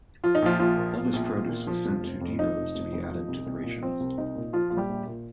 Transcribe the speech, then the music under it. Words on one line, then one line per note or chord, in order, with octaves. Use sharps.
All this produce was sent to depots to be added to the rations.
F3 F4
D#4
A#1 F3 F4
A#1 F3 F4
A#2
F3
A#1
A#1
A#2
F3
F1
F1
F2
F3 D#4
F1
F1
F2
F3
C2
C2
A#2
F3 C4
C2
C2 D#4
A#2
F3 F4
A#1 F4
G3 G4
A#1
A#2